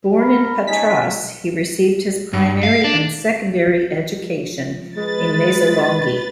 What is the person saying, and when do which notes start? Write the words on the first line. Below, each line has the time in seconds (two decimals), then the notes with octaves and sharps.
Born in Patras, he received his primary and secondary education in Mesolonghi.
0.18 A#4 B5
0.67 C#4 D#4 G#5 A5 B6
2.33 G2
2.63 F5
2.84 D4
3.67 F3
4.97 G#3 B4 A6